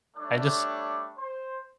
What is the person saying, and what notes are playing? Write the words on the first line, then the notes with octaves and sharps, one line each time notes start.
I just
G3 A3 D4 C#5 D6
C5